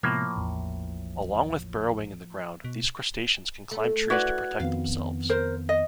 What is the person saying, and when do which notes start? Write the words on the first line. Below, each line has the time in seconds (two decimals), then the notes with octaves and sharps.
Along with burrowing in the ground, these crustaceans can climb trees to protect themselves.
0.03 A2 C3 F3 G#3 A#3 B3
0.36 A1 E2
2.64 B2
3.71 A3
4.10 E4 F#4 B4 D5 F#5 F#6 G#6
4.60 F2 D#3 B3 F5
5.29 A#4 C5
5.69 D#5